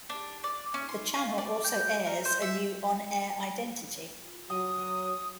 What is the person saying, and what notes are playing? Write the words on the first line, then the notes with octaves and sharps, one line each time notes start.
The channel also airs a new on-air identity.
D4
D5
C#4
C6
F4
D5
G5
A#4
C5
E5
F#3 D#6